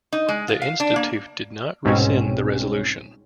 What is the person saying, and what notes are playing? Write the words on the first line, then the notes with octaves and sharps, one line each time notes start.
The Institute did not rescind the resolution.
D#4
G#3
F4
F5
D4
A#3
C2 G#2 B2 C4 C#4